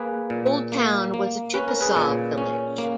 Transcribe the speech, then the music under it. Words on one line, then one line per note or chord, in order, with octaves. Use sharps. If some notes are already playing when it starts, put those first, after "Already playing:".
Old Town was a Chickasaw village.
Already playing: A#3 G#4 B4
A#2
A#3
A#3
C#4 B4
A#4
G#4 B4
A#2
C#4
A#3